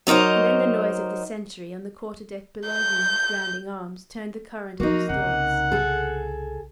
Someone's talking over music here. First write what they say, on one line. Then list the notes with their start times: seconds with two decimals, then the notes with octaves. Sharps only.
And then the noise of the sentry, on the quarter-deck below him, grounding arms, turned the current of his thoughts.
0.07 F#3 D#4 A#4 C5 D#5
2.67 G6
4.80 F3 A#3 D#4 F#4
5.09 C2 C#3 F#5
5.72 G#4 A4